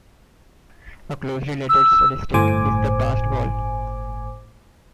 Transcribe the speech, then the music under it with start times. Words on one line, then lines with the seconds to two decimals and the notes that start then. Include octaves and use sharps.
A closely related statistic is the passed ball.
1.69 E6
2.34 G1 A2 C5 G#5 D6